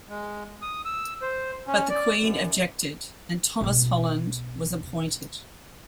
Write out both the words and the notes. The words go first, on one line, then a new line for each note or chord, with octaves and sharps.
But the Queen objected, and Thomas Holland was appointed.
G#3
D#6
E6
C5
C#4
D5
F#2
B1 F4